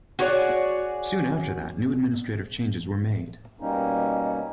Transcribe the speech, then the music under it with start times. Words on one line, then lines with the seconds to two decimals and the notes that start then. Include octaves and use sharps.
Soon after that, new administrative changes were made.
0.19 F#4 G#4 C#5 D5
3.60 B2 G3 A#3 C#4 D#4